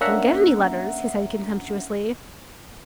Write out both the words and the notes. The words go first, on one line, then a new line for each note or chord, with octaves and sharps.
"Don't get any letters," he said contemptuously.
A#3 C#4 D4 E5 F#5 A#5